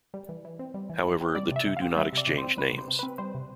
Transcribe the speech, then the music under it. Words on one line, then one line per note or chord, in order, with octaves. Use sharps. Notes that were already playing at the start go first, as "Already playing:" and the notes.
However, the two do not exchange names.
G3
E3
E3
C4
G3
E3
E3
C4
G3 D5
C3 E5
C3
C4 F5
G3 E5
C3 D5
C3
C4 C5
G3 B4
C3
C5
C3
C4 B4
G3 C5
C3